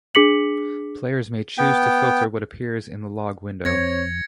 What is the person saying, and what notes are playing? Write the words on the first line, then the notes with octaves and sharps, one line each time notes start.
Players may choose to filter what appears in the log window.
D4 G#4 D6 B6 C#7 F#7
B3 G5
F2 C4 C#5 G#6 A#6 C#7